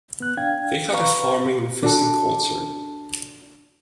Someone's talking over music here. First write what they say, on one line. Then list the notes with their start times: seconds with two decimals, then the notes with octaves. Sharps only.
They had a farming and fishing culture.
0.20 B3 F#6
0.37 D4 F5 G5 G#6
0.93 B4 F5 A#5 C#6
1.83 D4 F#4 A4